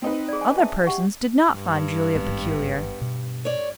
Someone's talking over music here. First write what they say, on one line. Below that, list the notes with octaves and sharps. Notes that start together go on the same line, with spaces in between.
Other persons did not find Julia peculiar.
C4 D#4 B4
G#4 D5
G#5
E5 A5
G4 F#5 C#6
G2
G#1 G#3 B3 C4
B2
C#5 D5